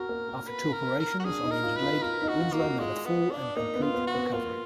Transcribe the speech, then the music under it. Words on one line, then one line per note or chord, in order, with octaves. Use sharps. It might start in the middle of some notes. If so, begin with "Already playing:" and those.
After two operations on the injured leg, Winslow made a full and complete recovery.
Already playing: F#4 A#4
A#3
A#3
B4
A#4
A#4
F#4
D4 G#4
D#4
A#4
F4
B4
F4
F4 A#4
D#4
F#4
F4
A#3
F#4
G#3 F4
B3
D4
A#3 D#4
B3
F4
B3
F#4
B3
A#3 F4